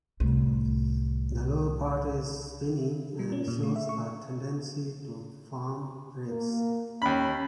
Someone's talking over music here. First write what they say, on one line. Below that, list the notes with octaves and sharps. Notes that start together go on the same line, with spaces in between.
The lower part is spiny and shows a tendency to form ribs.
C2 A2
G3
C#4
A#2
A3
E5
C#6
A#3
D#2 C#4 B5